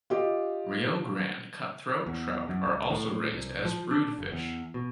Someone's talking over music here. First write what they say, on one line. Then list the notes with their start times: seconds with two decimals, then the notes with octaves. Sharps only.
Rio Grande cutthroat trout are also raised as brood fish.
0.10 F4 G4 D#5
2.06 E2
2.48 F#2
2.65 C#2
2.91 A2
3.33 C2
3.65 F3
3.91 D4
4.19 F#1
4.32 E2
4.74 B2